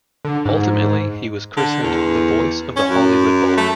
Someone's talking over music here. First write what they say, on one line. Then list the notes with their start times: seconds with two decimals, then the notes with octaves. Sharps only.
Ultimately he was christened The Voice of the Hollywood Bowl.
0.25 D3
0.45 G#2
1.57 D3
1.83 E2
2.76 C#4
2.89 F#2
3.57 A3